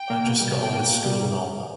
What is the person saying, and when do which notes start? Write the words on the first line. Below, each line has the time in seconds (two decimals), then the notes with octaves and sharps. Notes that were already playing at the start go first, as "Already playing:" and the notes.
I just got on with school and all that.
Already playing: G5
0.10 A#3
0.26 B2
0.41 G3
0.57 B2 G5
0.73 A#3
0.89 B2
1.05 G3